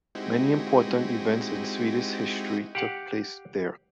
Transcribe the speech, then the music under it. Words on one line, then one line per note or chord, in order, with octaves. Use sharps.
Many important events in Swedish history took place there.
G#3 C4 D#4 E4 F#4 G4
G4 F5 F#5